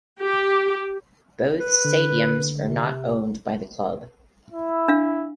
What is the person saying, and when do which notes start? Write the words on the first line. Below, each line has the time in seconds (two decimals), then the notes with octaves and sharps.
Both stadiums are not owned by the club.
0.21 G4
1.60 B4
1.85 D3
2.60 C3
4.52 E4
4.88 D4 F5